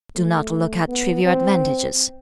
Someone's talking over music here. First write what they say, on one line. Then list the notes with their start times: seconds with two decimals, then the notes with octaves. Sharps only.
Do not look at trivial advantages.
0.15 A3
0.88 B3
1.24 C4